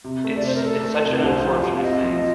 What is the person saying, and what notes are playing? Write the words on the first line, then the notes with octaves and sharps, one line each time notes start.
it's it's such an unfortunate thing.
C3
A3
D5
C3 C5
A#4
A3 A4
A3
C3
C2 C5
F3
C2
F5
C4 D#5
F3